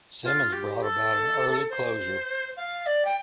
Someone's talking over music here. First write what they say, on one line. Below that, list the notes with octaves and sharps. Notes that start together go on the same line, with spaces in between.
Simmons brought about an early closure..
F4
G4
A4
C5
F5
D5
G5